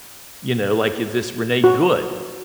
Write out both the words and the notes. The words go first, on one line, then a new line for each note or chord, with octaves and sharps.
you know, like, if this Renee Good,
F#4